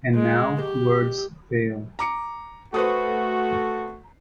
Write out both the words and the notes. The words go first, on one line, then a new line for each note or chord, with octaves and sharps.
And now words fail.
G#3
G4
A#5 D6 C#7
A3 F#4 B4 C5 D#6